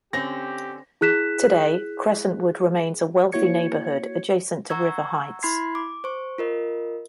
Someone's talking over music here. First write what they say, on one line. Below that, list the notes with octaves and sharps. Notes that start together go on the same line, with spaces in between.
Today, Crescentwood remains a wealthy neighbourhood adjacent to River Heights.
D3 C4 C#4 G4 A#6
E4 G#4 F#6 B6 E7
A#3 E4 F#4 C#5 G#6 C#7
F#5 A#5 C#6 E6 G#6
E4 B5 C6 G#6 C7
D6
C5 C#6
F4 A#4 D#5